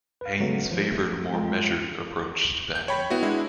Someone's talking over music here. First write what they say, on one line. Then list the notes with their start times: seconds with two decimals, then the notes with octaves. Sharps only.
Haynes favoured a more measured approach to batting.
0.21 B4 F5
0.40 C#3 F#3 A3 B3
0.71 D#3 F3
0.92 A3
1.34 G#3 F4 G5
2.75 G6
2.88 C#5 G5 B5
3.10 B3 E4 F#4
3.23 G#3 D4 E4